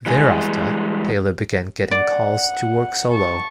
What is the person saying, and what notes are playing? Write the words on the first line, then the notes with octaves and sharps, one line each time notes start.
Thereafter, Taylor began getting calls to work solo.
E3 G3 G#3 G#5
D5 F#5
A5 C#6